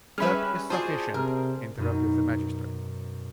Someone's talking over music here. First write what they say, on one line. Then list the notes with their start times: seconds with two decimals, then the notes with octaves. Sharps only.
"That is sufficient," interrupted the magistrate.
0.18 G3 C#4 G#4 B4 E5 B5 F6
0.70 F4 F#4 G#4 C5 D5 A5
1.14 C3 A#4
1.77 F#2 B2 D#4